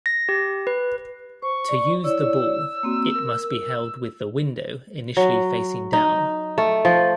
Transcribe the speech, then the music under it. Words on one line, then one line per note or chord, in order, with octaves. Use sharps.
To use the ball, it must be held with the window initially facing down.
A#6
G4
B4
C5 C#6
D5
E4 C#5 D5 E6
A#3 C4 F#4
A#4
F#3
D#4
A3
F3